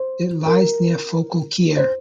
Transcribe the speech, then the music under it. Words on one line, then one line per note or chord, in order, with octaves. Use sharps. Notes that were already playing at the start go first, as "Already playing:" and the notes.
It lies near Forcalquier.
Already playing: C5
A#4
C5